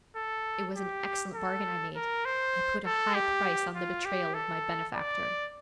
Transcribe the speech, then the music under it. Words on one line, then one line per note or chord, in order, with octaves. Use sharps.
It was an excellent bargain I made--I put a high price on the betrayal of my benefactor!
A4
G4
A4
A#4
C5
A4
G4
F4
G4
A4
D5